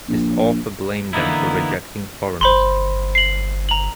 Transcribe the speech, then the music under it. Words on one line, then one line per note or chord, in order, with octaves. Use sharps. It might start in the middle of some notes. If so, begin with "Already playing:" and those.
This author blame them for rejecting foreigners.
A#1
D3 E3 A#3 B3 D#4 E4
G1 C5 B5 C6
C7 F#7
A#5 F#7